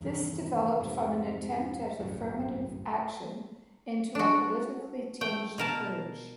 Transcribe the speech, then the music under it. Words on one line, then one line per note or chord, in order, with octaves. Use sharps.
This developed from an attempt at affirmative action into a 'politically tinged purge'.
E2 G2 C3 D#3
F2 G#2 C3
G1 C2 F#2 A2
D4 F#4
A3 G5
B2 A#4 A5